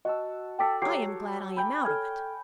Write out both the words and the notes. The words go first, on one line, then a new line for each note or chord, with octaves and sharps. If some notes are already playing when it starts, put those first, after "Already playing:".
I am glad I am out of it.
F#4 D#5 A5 E6
A4 D5 G5 A5 B6
F#3 G4 C#5 C7
G5 G#5 B5
A4 F6 G#6